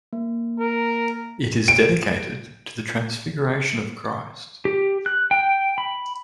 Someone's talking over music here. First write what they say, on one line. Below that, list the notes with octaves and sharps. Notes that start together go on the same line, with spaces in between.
It is dedicated to the transfiguration of Christ.
A#3
A#4
D7
G4
F#6
G5
B5